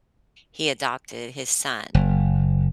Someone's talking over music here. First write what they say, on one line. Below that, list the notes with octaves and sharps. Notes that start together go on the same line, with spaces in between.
he adopted his son,
F#1